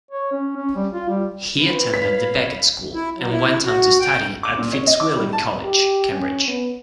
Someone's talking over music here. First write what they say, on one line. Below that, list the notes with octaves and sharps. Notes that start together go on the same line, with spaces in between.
He attended The Becket School and went on to study at Fitzwilliam College, Cambridge.
C#5
C#4
C#4
G3
F4
G3
C4 C#4 E4 B4
C#5 F5 B5 B6
E4
F#3
E4
F#4
G5
D6
A#2
C#5
D#5
D6
G3
A5
G4
C#4
B3